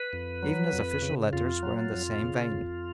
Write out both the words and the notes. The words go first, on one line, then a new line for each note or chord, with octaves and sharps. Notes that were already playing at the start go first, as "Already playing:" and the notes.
Even his official letters were in the same vein.
Already playing: B4
F2
F#3
F2
C#3
F2 F4
F#3
F2
C#3
F2